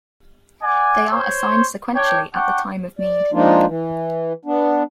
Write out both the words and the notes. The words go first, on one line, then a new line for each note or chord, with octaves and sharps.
They are assigned sequentially at the time of need.
D5 F#5 G#5
C5 C#5
D4 C#5 G5
D4 F#5 G5 C#6
D5
F3 G#3 A#3 D4 D#4 F4
E3
B3 D4